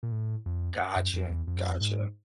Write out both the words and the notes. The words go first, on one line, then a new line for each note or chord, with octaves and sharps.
Gotcha. Gotcha.
A#2
A2
F2
F#2
F2
E2
F2
F#2
F2
G#2